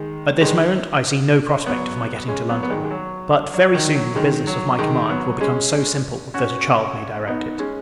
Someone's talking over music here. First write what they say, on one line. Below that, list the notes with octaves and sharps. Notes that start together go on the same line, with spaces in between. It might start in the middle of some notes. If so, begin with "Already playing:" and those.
At this moment, I see no prospect of my getting to London; but, very soon, the business of my command will become so simple, that a child may direct it.
Already playing: D#3 G#3
D#3 G#3
F#3 B3
G#3 C#4
F#3 B3
B3
D#3 G#3
G#3
F#3
F#3
D#3
F#3
D#3 G#3
F#3
D#3 G#3
F#3 B3
G#3 C#4
C#4 F#4
B3 D#4
G#3 C#4